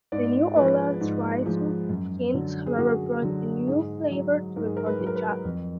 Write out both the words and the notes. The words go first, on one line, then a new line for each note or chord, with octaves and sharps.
The New Orleans Rhythm Kings, however, brought a new flavor to recorded jazz.
G#2 D5
F3 G#3 B4
G#2
F3 G#3
F#2
D3 F#3
G#4
F#2 F#4
D3 F#3
G#2 G#4
F#3
G#2 A#4
G#4
A#4
B4
F#3
A#4
B4
F2